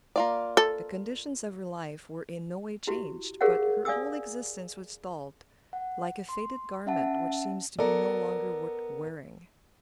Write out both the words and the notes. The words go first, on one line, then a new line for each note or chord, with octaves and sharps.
The conditions of her life were in no way changed, but her whole existence was dulled, like a faded garment which seems to be no longer worth wearing.
A#3 F4 D5
A4
E4 F#4 G4
G4 G#4 A#4 C#5 F5 F#5
D5 F5 G#5 D#6 E6
F#5
C6
C#4 E5 F#5 A5
B3 A4 A#4 D5